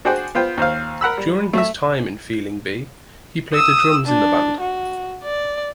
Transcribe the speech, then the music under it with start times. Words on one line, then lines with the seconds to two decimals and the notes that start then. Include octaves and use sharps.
During his time in Feeling B, he played the drums in the band.
0.05 D4 F#4 G#4 C5 D5 G5
0.35 B3 F4 C5 G5
0.57 D#2 C5 F5
1.01 A#4 F#5 B5 E6
1.17 G3
1.53 A3 E5
3.54 D#6 E6
4.06 D4
4.60 F#4
5.24 D5